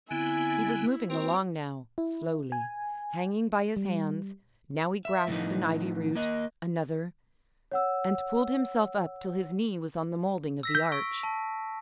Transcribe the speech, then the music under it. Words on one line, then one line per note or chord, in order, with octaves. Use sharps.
He was moving along now, slowly--hanging by his hands; now he grasped an ivy root--another--and pulled himself up till his knee was on the moulding of the arch.
D3 B3 C4 E4 G#5
A#3 C4 E4 F#4
E4
G#5
G3
E5
A2 E3 F3 D#4
A#3 D#5
C#5 F#5 E6
E6 A#6 B6
G6
C#6 E6 D7
A5